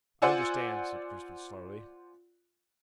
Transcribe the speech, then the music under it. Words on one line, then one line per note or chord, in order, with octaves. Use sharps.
"I understand," said Crispin slowly.
F4 C5 D5 F#5 G#5 E6